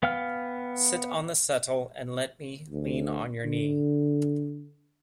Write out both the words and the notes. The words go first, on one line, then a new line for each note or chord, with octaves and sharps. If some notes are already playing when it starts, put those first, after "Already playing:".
Sit on the settle and let me lean on your knee.
B3 F5 G5 F6
D2
D3